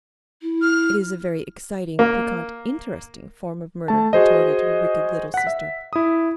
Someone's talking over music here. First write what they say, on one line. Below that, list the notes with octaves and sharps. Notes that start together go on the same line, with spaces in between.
"It is a very exciting, piquant, interesting form of murder," retorted her wicked little sister.
E4
F6
A#3
A3 A5
F#4 G#4 C5 D#5
F#5 B6
E5
E4 D#6